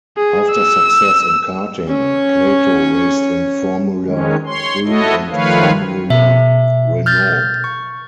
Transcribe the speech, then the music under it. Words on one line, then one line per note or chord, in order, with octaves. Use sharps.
After success in karting, Plato raced in Formula Three and Formula Renault.
G#4
E6
C#4 C#5
D#3 G#3 C#4
C#5 C6
E4 F#4 A4 C#5 D#5
D#3 F3 A3 B4 C#5 F5
B2 E5
F6 G6 A6
C#6